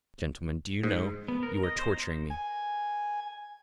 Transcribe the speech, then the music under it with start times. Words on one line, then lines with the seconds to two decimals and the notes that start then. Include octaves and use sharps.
Gentlemen, do you know, you are torturing me!
0.83 G#2
1.28 B3
1.43 A#4
1.63 D#5
1.79 C5
1.91 A#5
2.30 G#5